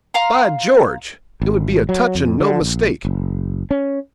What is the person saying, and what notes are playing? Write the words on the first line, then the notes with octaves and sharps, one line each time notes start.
'By George! it would be a touch, and no mistake.
F5 A#5 C6
G#1
F#3
F2
D3
A#1
F#1
C#4